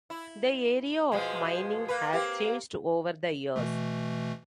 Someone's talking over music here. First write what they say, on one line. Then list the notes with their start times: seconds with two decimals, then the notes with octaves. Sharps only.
The area of mining has changed over the years.
0.10 E4
1.12 B2 F3 G#3
1.88 A#3 B4
2.13 A#3 C4 G4
3.56 B2 E3 A3